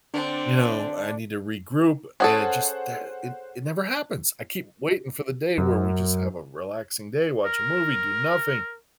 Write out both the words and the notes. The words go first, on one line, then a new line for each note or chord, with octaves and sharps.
you know, I need to regroup and it just, eh, it it never happens! I keep waiting for the day where we just have a relaxing day, watch a movie, do nothing.
D3 C4 D4
C#4 G#4 A4 C5 F#5
F#2
A#4